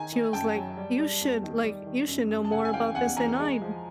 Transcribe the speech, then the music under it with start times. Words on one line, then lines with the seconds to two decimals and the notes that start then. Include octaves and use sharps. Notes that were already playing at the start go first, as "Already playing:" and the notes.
she was like, "You should like, you should know more about this than I"
Already playing: D#3 G#5 A#5
0.12 D#3
0.33 F#2 G5 A5
0.55 F#3
0.77 G3
0.99 G3
1.21 E2
1.43 D#3
1.64 G3
1.86 D#3
2.08 F#2
2.30 F#2
2.45 A5
2.51 C#3 F#5 G#5
2.65 G#5
2.73 E3 F5 G5
2.95 E2 F#5 G#5
3.17 E3 G#5 A#5
3.40 G#3
3.62 F3